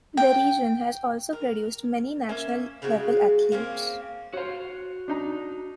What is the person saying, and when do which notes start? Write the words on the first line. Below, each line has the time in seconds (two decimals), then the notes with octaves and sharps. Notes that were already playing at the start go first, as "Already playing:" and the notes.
The region has also produced many national level athletes.
0.17 G5
1.33 A#4
2.29 A#3 C#4 E5
2.82 C#3 G#3 C4 F#4
3.52 A#3 C4 C#4
4.34 F#4 C5 C#5 F5
5.08 D4 D#4 A#5